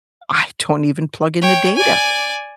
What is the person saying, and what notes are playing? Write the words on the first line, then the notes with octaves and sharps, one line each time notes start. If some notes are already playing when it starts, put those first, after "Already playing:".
I don't even plug in the data.
C#5 G5
D5 G#5